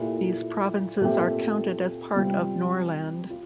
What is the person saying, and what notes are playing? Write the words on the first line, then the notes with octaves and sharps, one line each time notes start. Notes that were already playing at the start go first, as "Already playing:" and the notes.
These provinces are counted as part of Norrland.
Already playing: A#2 A3 E4 G4
A#2 A3 C4 G4
C3 G3 C4 F4
F4